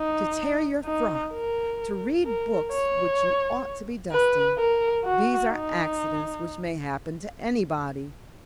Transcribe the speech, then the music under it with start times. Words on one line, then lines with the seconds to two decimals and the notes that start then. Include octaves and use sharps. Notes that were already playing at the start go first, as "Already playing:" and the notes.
To tear your frock, to read books which you ought to be dusting, these are accidents which may happen to anybody.
Already playing: D#4
0.85 D#4
1.32 A#4
2.24 A#4
2.71 C#5
4.11 B4
4.58 A#4
5.05 F#4
5.50 D#4